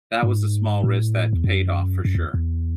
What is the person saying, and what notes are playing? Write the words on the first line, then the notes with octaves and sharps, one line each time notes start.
that was a small risk that paid off for sure.
G#2
A2
E2
F#2
F#2
E2
E2